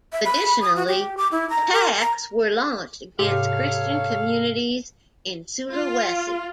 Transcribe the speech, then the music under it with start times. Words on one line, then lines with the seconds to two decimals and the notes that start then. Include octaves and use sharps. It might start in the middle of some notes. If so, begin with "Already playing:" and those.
Additionally, attacks were launched against Christian communities in Sulawesi.
0.13 E5
0.25 B5
0.62 D#6
0.76 F#4
0.87 G4
1.17 D6
1.32 E4
1.50 A#5
1.73 A#4
2.01 A#5
3.19 G#2 C3 G#3 A#3 G4 A4 C#5 F5
5.72 F4